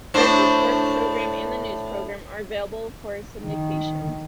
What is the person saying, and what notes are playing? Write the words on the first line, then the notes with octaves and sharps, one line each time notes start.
Both the Sports program and the News Program are available for syndication.
A2 D4 C5
D#3